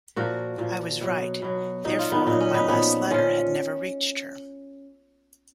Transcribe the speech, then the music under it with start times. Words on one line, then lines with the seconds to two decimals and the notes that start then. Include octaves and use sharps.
I was right, therefore, my last letter had never reached her.
0.16 A#2 F3 F#4 A#4
0.58 A#2 F3
1.01 B2 F#3
1.42 B2 F#3
1.84 A#2 F#3 D#4
1.99 F4
2.12 B3 D#4
2.27 A#2 F#3 D#4
2.40 C#4
2.54 B3 D#4
2.68 A#2 F3 B3 D#4
3.10 A#2 F3 C#4 F4